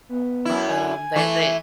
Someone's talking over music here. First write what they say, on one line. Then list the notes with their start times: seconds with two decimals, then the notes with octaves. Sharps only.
um, that that
0.09 B3
0.45 F#2 E4
0.68 G#5
1.16 E3 A3